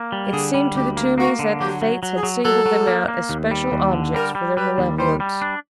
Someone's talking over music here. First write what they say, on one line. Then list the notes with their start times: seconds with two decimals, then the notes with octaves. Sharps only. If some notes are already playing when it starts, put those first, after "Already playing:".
It seemed to the Toomeys that the Fates had singled them out as special objects for their malevolence.
Already playing: A#3
0.12 G3
0.33 D3 G#4
0.54 G3
0.75 D2 G4
0.97 A#3
1.18 A#3 F#4
1.39 D3
1.60 F#3 G4
1.82 F#3
2.03 F#3
2.17 G#4
2.23 F#3
2.45 F#3 A4
2.66 F#3
2.87 A#3
3.08 A#3
3.29 D#2
3.51 G3
3.72 D#2
3.93 D3
4.14 G3 A#4
4.35 G3
4.57 G3 B4
4.78 D#2
4.99 G3 C5
5.20 G3
5.42 D4